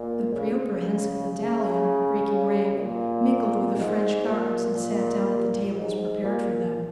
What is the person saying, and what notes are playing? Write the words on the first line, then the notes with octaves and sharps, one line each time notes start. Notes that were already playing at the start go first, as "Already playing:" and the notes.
The Preobrazhensk battalion, breaking rank, mingled with the French Guards and sat down at the tables prepared for them.
Already playing: A#2
C#3
C#3
A#2
G#2
A#2
A#2
G#2
A#2